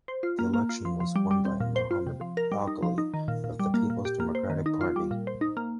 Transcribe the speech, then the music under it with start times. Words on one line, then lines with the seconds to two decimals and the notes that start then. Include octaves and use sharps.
The election was won by Mohammed Alkali of the Peoples Democratic Party.
0.08 C5
0.23 F4
0.39 A#3
0.54 A#3
0.69 F4
0.85 F3
1.00 F3
1.16 G3
1.31 G3
1.45 C4
1.60 A#2
1.76 C5
1.91 F4
2.07 C3
2.21 F3
2.37 A#4
2.52 G3
2.67 D#4
2.83 F3
2.98 D#4
3.14 D#3
3.28 A#2
3.44 A#2
3.59 G3
3.74 A#3
3.90 A#2
4.05 G4
4.20 A#3
4.35 C5
4.50 D#3
4.66 D#4
4.81 F4
4.96 G3
5.11 A#2
5.27 C5
5.41 D#4
5.57 A#3